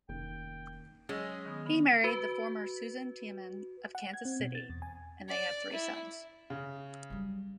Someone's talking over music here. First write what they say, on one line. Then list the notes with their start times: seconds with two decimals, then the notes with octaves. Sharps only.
He married the former Susan Tiemann of Kansas City and they have three sons.
0.09 F1 D#3 A#3 C#4 G5
1.09 F#3 G#3 C#4 D#5 E6
1.46 D#3 B3 D#6
1.66 D3 B3
2.04 F#4 B4
3.95 F#5
4.14 G#6
4.25 C4
4.40 B2
4.55 A6
4.70 E2
4.82 G#5
5.29 D5
5.73 E4
6.50 C#3
7.10 F#3 G3